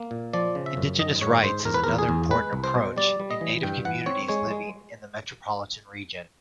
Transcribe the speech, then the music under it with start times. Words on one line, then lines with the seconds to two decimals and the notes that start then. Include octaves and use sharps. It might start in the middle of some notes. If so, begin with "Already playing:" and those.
Indigenous rights is another important approach in native communities living in the metropolitan region.
Already playing: A#3
0.11 A#2
0.33 F3 D5
0.55 C#3
0.66 E5
0.77 F#2
0.99 D#3 D#5
1.21 G#2 C#5
1.43 G#2 C5
1.65 E2 A#4
1.74 B4
1.84 E2 A#4
1.98 G#4
2.09 E2
2.31 G#3 B4
2.53 C2
2.64 C5
2.75 B2
2.96 G3 D5
3.20 G3
3.31 D#5
3.41 E3
3.63 G2 G5
3.85 E3 F#5
4.06 C4 C#5
4.28 G#3 C#5
4.51 G#3